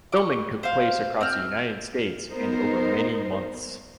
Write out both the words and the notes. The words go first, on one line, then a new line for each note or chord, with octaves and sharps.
Filming took place across the United States and over many months.
C#6 D6
C5 F5
C4 F6
B3 D#4 A#4 C5